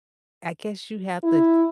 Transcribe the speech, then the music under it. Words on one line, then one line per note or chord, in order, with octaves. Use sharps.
I guess you have to
E4